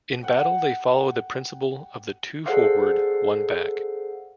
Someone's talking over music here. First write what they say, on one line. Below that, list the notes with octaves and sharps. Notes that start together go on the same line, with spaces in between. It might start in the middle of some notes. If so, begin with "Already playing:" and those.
In battle they followed the principle of two forward, one back.
F#5 G5
G#4 A4 C5 D5 F5 F#5